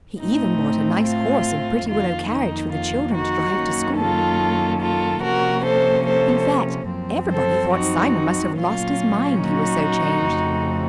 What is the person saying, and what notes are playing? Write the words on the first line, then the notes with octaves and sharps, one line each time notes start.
He even bought a nice horse and pretty willow carriage for the children to drive to school; in fact, everybody thought Simon must have lost his mind, he was so changed.
A2 A3 C4 D#4
F4
F2 D#3 A#3 F4
D#4
F4
D#4 F#4
F#2 D#3 A#3 C#4
F4 A4
F4 A4
C3 F3 A#3 C#4 F#4 A#4
A4 C5
A4 C5
F#2 F3 C4
A4 C5
D#4 F#4
A#2 F#3 A#3 C#4 F4
D#4 F#4
F2 C#3 A3 C4